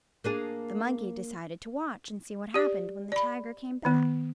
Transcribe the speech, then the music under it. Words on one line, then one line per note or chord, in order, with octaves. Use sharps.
The monkey decided to watch and see what happened when the tiger came back.
A#3 D4 G#4
G4 D5
D5 B5
D#3 B3